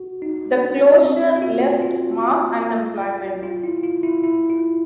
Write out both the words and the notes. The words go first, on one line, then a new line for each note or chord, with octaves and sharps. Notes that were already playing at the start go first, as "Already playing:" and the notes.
The closure left mass unemployment.
Already playing: F#4
D#4
D4
C4
F4
F#4
F4
F4
E4
F4
E4
E4
F4